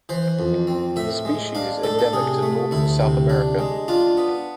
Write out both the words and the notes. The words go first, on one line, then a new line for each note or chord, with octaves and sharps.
The species is endemic to northern South America.
E3 C5
F2
C4
A2 E5
G#3
D4 F5
A2 A4
A4
C3 G#4
A3
D2 E4
C3
D4
G#3
D4 F4
B3